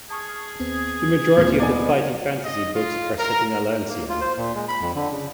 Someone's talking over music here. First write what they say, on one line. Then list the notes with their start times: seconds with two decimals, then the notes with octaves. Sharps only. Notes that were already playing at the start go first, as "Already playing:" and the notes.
The majority of the "Fighting Fantasy" books are set in Allansia.
0.10 G#4 A5 C#6 F6
0.60 D#2 B3 C4
1.37 E1 D#2 A#2 G3 C4
1.60 B2 D5 G#5
2.45 D#5
2.75 F4
3.19 A#4
3.88 A#3
4.09 F4
4.21 C5
4.38 A#2
4.55 G#3
4.68 B5
4.81 F2
4.95 D3
5.11 C#3